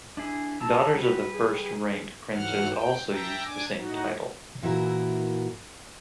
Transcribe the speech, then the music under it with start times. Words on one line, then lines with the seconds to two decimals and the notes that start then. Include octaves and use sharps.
Daughters of the first ranked princes also used the same title.
0.17 D4 E4 G#4
0.60 A5 A#5 E6
0.95 G3 F#4 B4
1.31 G#4
2.33 G#2 E3 F#3 A3 F#5 F6
2.70 G5
3.09 E5 G5 A5 A#5
3.45 D4 G#5 D6
3.77 A2 D#4 F#4
4.62 A#2 E3 E4 F#4 A#4